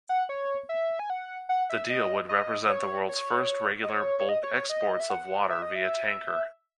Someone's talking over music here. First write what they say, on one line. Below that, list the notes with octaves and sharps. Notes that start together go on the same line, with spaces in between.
The deal would represent the world's first regular, bulk exports of water via tanker.
F#5
C#5
E5
G#5
F#5
F#5
E5
D#5
D#5
C#5
C#5
D#5
C#5
C#5
D#5
C#5
C#5
D#5
E5
F#5
E5
D#5
E5